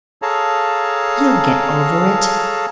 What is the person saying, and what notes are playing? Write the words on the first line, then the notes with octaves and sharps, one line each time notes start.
You'll get over it.
G#4 A4 C#5 F5 A5 A#5